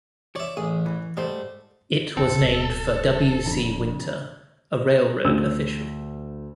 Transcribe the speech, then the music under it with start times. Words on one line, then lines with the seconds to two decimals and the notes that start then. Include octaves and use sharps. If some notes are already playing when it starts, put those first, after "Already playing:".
It was named for W. C. Winter, a railroad official.
0.36 C#5 D5 E5
0.57 A1 G#4
0.86 E3
1.17 G#2 G3 A3 C5
2.17 D#2 C#3 C4 A4
2.40 D1 G3
3.46 F2 D3
5.24 D2 E6